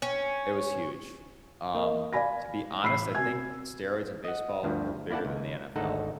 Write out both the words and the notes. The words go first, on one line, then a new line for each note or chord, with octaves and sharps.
It was huge. Um, to be honest, I think steroids in baseball were bigger than the NFL,
C#4
A#3 A#4 D#5
D5 F5 G#5 B5 A#6
A1 B5 E6 C7
C3 F#4 G#5 G#6
D#5 F#5
D2 G2 F3
A#3 E4 D5 F#5 A5
C#2
G#1 D2 D#4 A4 F#5